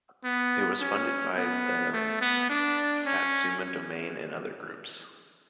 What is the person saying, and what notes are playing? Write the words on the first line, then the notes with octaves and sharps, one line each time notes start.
It was funded by the Satsuma Domain and other groups.
B3
C#4
B3
A3
B3
D4
C#4